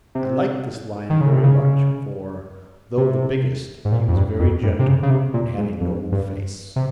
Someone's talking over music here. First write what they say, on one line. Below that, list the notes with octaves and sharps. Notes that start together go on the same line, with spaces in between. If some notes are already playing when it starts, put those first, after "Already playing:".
I liked this lion very much, for, though the biggest, he was very gentle, and had a noble face.
C3
D#3
C#3
C3
C#3
C3
G#2
A#2
F2
G2
F2
G2
C3
C#3
C#3
C3
A#2
G#2
F2
G2
C3